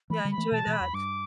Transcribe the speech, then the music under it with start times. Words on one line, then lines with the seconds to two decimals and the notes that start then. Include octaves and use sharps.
Yeah, I enjoy that.
0.10 E3 A3 B5
0.25 D3 G3
0.31 B5
0.38 E3 A3
0.52 B2 E3 A5
0.66 B2 E3
0.73 B5
0.80 E2
0.93 G2 D6